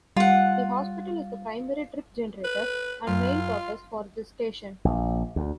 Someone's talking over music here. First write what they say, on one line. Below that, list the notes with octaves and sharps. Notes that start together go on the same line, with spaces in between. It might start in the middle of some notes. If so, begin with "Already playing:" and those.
The hospital is the primary trip generator and main purpose for this station.
G3 F4 F#5
B4
F#2 F4
A#1
D2